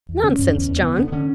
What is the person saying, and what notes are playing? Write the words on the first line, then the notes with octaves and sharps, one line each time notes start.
'Nonsense, John.
E2
D3 C#4
G2
E2
E2
C#4
D3 B3
D3
B3
D3 C#4